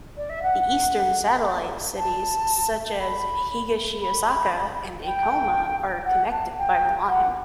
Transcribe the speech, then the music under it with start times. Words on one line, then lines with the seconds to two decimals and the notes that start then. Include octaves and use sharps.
The eastern satellite cities such as Higashiosaka and Ikoma are connected by the line.
0.17 D5
0.30 E5
0.43 F#5
1.98 A5
3.00 B5
4.02 B5
5.04 G5
6.06 F#5
6.31 A5
6.58 G5
7.09 F#5